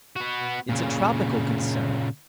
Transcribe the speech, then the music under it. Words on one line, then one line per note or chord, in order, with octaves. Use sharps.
It's a tropical concern.
B3 F#4
A#2 C#3